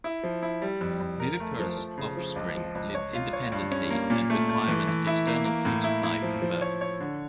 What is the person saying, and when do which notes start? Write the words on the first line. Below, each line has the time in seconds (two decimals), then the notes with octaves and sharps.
Viviparous offspring live independently and require an external food supply from birth.
0.04 E4
0.23 F3
0.43 E4
0.62 G3
0.81 F2
1.00 F2
1.20 A#4
1.40 A3
1.59 F3
1.78 F3
1.98 C#3
2.17 F3
2.36 C#2
2.55 F3
2.75 C#2
2.95 C#5
3.13 F4
3.33 C#5
3.52 G2
3.71 C#4
3.90 A#3
4.10 A#2
4.30 A3
4.49 A3
4.68 E3
4.87 E3
5.07 E4
5.27 A#3
5.45 A#3
5.65 A2
5.84 E4
6.04 E4
6.22 F3
6.42 F3
6.61 C#5
6.81 C#5
7.00 D3